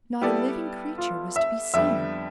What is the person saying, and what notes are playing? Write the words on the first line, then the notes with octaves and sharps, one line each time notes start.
Not a living creature was to be seen.
G3 B3 E4 G4 A4 D5
F4
E5
F2 D3 G3 B3 E5